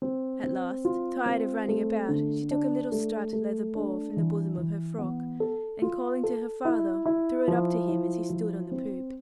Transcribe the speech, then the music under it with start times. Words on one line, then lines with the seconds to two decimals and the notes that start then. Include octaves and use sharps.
At last, tired of running about, she took a little striped leather ball from the bosom of her frock, and calling to her father, threw it up to him as he stood on the poop.
0.02 C4
0.44 C4
0.85 F4
1.26 C4
1.68 A3
2.09 D3
2.51 D4
2.92 A3
3.33 A3
3.75 D4
4.17 E3
4.58 E3
4.99 B3
5.40 A4
5.82 F4
6.24 A4
6.65 E4
7.06 E4
7.48 F3
7.88 E4
8.30 F3
8.72 C4